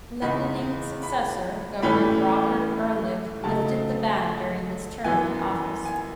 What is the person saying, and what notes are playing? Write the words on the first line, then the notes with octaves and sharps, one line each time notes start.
Glendening's successor, Governor Robert Ehrlich, lifted the ban during his term in office.
E2 C#3 G#3 D#4 B5
B5
A2 E3 A3 C#4 B5
C#3 F#3 A3 D#4 A5
F#2 E3 B3 G#5
G#5